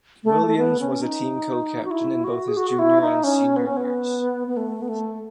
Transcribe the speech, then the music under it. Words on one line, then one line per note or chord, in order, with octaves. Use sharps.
Williams was a team co-captain in both his junior and senior years.
A3
A3
B3
C#4
D#4
F#4
E4
F#4
G#4
F#4
F#4
E4
D#4
C#4
B3
C#4
B3
B3
A3
B3
A3